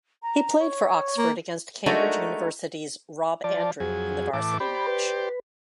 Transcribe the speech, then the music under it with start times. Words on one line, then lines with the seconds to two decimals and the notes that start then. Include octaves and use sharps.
He played for Oxford against Cambridge University's Rob Andrew in the Varsity match.
0.22 A#5
0.59 C#5
1.18 A#3
1.86 G#3 A3 D4 D#4 F#4 A#4
3.44 F3 D5 A5
3.80 F2 F#3 G#4 G#5
4.33 A2 E3 A5 D6
4.60 G4 C5 D5 B5
4.87 B4